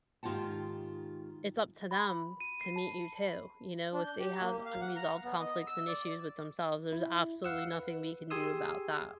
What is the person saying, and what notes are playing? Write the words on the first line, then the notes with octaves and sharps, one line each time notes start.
it's up to them to meet you too. You know, if they have unresolved conflicts and issues with themselves, there's absolutely nothing we can do about that.
G#2 D#3 F4 G4 F#5 A5
B5
D#7
C7
A5
D4
G6
G4
A#3
F5
F#5
A#5
B3
D#5
E6
D5
E4
F5 F#5 E6
B4
G4 G#4 G#5 C6 D#6 E6